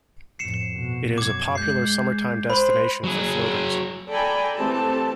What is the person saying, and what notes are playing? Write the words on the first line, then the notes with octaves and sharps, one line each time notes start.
It is a popular summertime destination for floaters.
F2 A2 C7 C#7 E7
B2
F#2 D6 G#6
G#3 G6 C7
C5 B5 C6
F#3 G#4
A4 D5 G5 G#5 A#5 B5
E3 A3 C4 G4 A4 A5